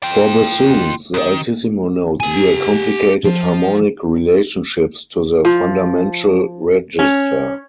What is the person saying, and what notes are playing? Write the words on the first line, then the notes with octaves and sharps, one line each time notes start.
For bassoons, the altissimo notes bear complicated harmonic relationships to the fundamental register.
F4 G5
E2 D#3
G4 G#5
F3
F3
C#4